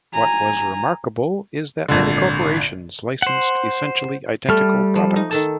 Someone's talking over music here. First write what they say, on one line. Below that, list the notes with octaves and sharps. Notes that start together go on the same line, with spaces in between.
What was remarkable is that many corporations licensed essentially identical products.
G#5 A#5
G#1 A#2 D3
C5 F#5
G3 A3 A4 F6
F3
D#4
D#3 A4 A5